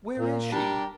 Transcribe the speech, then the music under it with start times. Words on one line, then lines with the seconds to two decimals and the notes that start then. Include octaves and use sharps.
Where is she?
0.19 A#2
0.52 G3 D4 G4 A#4